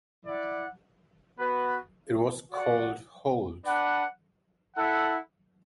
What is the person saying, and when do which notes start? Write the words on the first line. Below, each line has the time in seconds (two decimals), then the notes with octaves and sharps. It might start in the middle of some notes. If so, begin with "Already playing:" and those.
It was called Holt.
0.25 E4 D5 F#5
1.37 B3 F#4 B4
2.51 F#4 D5 F#5
3.63 D4 B4 D5 F#5
4.76 E4 A4 F#5